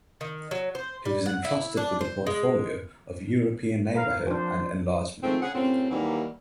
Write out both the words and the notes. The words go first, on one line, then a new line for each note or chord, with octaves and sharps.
He was entrusted with the portfolio of European Neighbourhood and Enlargement.
D#3
F#3
C5
G3
F#5
E4
D4
C5
G#3
A#4 B4 F5
F3 D4 C5
D#3 F3 G#3 A3 C4
C#3 G#4 F#5
F#2 A2 C#3 C4
D#2 E3 F#3 G3 A#3 D#4